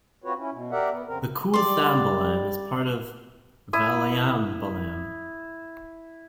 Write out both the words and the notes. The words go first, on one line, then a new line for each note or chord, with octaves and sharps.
The koothambalam is part of Valiambalam.
C4 F4 F#4 B4 C#5
C#4 E4
B2
G4 A#4 D5 E5 F#5
B3
F2 C#3 C4 A#4
G3 D5 C6
E4 D#6